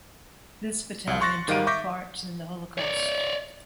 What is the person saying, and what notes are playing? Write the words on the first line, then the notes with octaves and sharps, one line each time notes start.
This battalion took part in the Holocaust.
C2
C6 C#6 F#6 A6 A#6
G#2 D#3 G3 F5 D7 D#7
E5 C#6 D6 G6 A#6 B6
C#5 D5